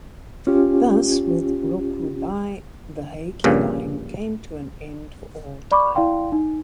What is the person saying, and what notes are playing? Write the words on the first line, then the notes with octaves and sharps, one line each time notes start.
Thus, with Rokudai, the Heike line came to an end for all time.
C#4 F4 G4
A#1 G2 A#2 C#3
D5 B5 C#6 D6
E4 D5 F5 G5 C6
D#4